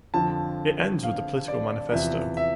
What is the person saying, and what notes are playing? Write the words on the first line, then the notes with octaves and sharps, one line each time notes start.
It ends with a political manifesto.
F2 D3 F3 A5
F5
D5
E2 C3 F3 E5
E5